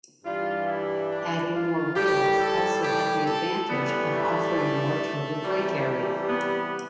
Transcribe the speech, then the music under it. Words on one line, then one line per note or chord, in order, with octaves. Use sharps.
Adding more wheels also had the advantage of offering more total brake area.
G2 E3 G3 F4
E4
D4
F4
A2 G3 G4
A4
G4
A4
A2 E3 G3 B3
A3
C3 E3 G3
B3